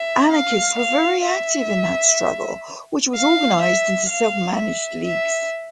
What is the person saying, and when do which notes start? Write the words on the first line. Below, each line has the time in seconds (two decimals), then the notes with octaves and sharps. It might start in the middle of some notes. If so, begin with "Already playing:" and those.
Anarchists were very active in that struggle, which was organised into self-managed leagues.
Already playing: E5
0.32 F5
0.78 F5
1.26 E5
3.15 F5
3.62 E5
4.09 F5
4.56 E5
5.04 E5